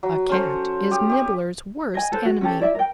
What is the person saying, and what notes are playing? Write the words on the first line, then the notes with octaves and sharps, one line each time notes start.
A Cat is Nibbler's worst enemy.
F#3
C#4 A4 C5 C#5
G4 D#6
G4 C#6
D#5 G#5
A4 B4 C5
F#4
C#4 G4 A4
E4 D5 E5
A#4 G5